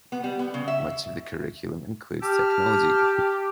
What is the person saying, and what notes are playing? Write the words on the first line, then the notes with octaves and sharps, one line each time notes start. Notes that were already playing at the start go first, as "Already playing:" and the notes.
Much of the curriculum includes technology.
B3
G3
B3
C#3
E5
G4 A5 F6